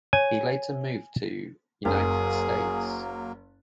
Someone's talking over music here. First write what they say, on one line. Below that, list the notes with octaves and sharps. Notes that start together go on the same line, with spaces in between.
He later moved to United States.
C#5 G#5
F#1 F#3 A#3 G#4 A#4